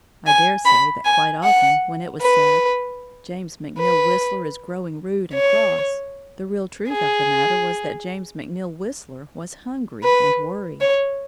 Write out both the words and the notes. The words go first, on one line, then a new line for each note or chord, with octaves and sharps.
I dare say that quite often when it was said: "James McNeill Whistler is growing rude and cross," the real truth of the matter was that James McNeill Whistler was hungry and worried.
G#5
B5
G#5
F#5
B4
B4
C#5
G#4
B4
C#5